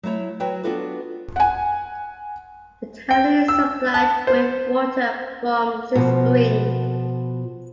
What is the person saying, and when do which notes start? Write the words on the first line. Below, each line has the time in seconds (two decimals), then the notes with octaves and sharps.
The town is supplied with water from six springs.
0.03 F#3 A3 E4 C#5
0.40 F#3 F#4 B4 C#5 G5
0.63 B3 D4 F4 F#4 A4 B4
1.36 F#5 G#5
3.11 G5
3.48 E6
3.94 A5
4.27 C5
5.95 B2 F3